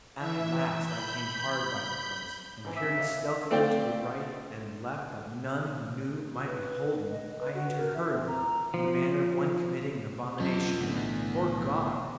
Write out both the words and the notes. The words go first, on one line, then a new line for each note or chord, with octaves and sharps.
At last I came hard by the place, and peering stealthily to the right and left that none who knew might behold me, I entered hurriedly, in the manner of one committing an abomination. 'Fore God!
E3 E5
B5 G6
G#2 E3 C4
C#3 E5 D6
C#5 D#5 F5
B3
A3 C4 D5 F5 G5
F#4
B4
D#5
B4
F#4
A#4
E5
C4
A#5
F3
E2 F#3 C#4 F4 D#5
B1 A2 D3 B3 E4